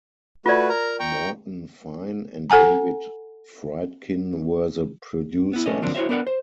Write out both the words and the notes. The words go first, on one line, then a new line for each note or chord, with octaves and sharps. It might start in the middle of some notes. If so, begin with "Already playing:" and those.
Morton Fine and David Friedkin were the producers.
A3 F4 F#4 B4 D5
A#4 A#5
G5 A#5 C#6
A4 F#5 G#5 A#5
B3 E4
A3 C#4 D#5
D3 F3 F#3 A#3 C4 D4
E4 F#4 C5 C#5 E5
B3 D4 A#4 B4 D5 F#5
C5